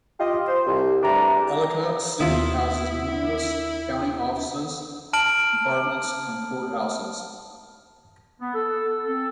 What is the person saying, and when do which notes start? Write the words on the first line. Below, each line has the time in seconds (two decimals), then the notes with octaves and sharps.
Ellicott City houses numerous county offices, departments, and courthouses.
0.19 F4 G4 D#5
0.48 C5
0.66 C2
1.03 E2 G3 A3 D4 A#5
2.20 D#2 E4 F4 D#6
5.13 A5 F6 D7 F#7
8.40 B3
8.54 A4
9.05 C4 A4